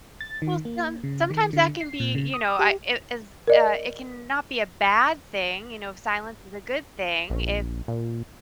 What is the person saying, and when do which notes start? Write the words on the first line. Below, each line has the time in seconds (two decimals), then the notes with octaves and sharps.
Well, some sometimes that can be, you know, I it it's, uh It can not be a bad thing, you know, if Silence is a good thing, if
0.21 A6
0.42 D#3
0.65 A#3
1.04 C#3
1.31 D#3
1.53 D3
1.81 C7
2.00 A#2
2.15 C#3
2.34 D#6
2.59 G4
3.47 A#4 D5 D#5
7.30 A#1
7.88 A#2